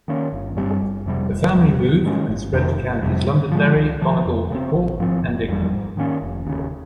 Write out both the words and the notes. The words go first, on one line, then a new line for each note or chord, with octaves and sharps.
The family moved and spread to counties Londonderry, Donegal and Cork, and England.
D#3 A#3 C#4
G1
G2 G3 C4
G1
F2 C3 G3
F1
D#2 C#3 G3
G#2
D#3 G#3 C#4
G1
F2 C3 D#3
G1
F2 C3 G3
G#2
F3 G#3
C#2
C3 F3
F2
C#3 G3 C4
A#1
G#2 F3 C4
F1
F2 C#3 G3
G#2
D#3 A#3 C#4
F1
D#2 C#3